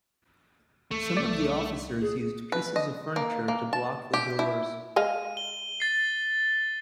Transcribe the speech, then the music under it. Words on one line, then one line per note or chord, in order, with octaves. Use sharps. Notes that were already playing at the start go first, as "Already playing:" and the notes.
Some of the officers used pieces of furniture to block the doors.
D#2 A3 C#6
C2 D5
B3 G#4
B4
D#5
A#3
A#3
A5
G4
E4
G#3 D#5 F5 D#7
G7
A6 C7